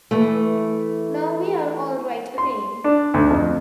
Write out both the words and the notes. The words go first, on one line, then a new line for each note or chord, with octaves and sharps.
Now we're all right again.
E3 A3
C6
D4
D2
F2